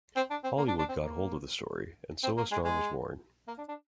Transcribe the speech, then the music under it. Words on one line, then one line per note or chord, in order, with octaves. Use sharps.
Hollywood got hold of the story, and so a star was born.
C4
D4
C4
A#3
D4
D4
C4
A#3
C4
A#3
G#3
G#3
A#3
D4
D4